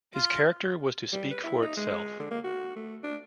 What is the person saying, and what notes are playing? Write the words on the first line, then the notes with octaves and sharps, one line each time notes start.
His character was to speak for itself.
F4
G3
B4
E4
D#4
G#3
G#3
D3
A#3
F#4
A3
D4